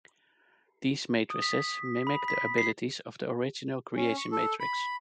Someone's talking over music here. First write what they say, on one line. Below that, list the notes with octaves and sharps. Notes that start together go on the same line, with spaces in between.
These Matrices mimic the abilities of the original Creation Matrix.
D#6
B6
B5
B6
C7
C#4
C#6
A4
B5